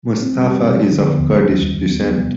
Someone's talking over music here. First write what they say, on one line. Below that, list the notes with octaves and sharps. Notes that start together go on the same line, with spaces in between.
Mustafa is of Kurdish descent.
C4
G3
G4
B2
F3
D3
B3
D#2
G3
D#3
D#2
D#2
B3
G3
C3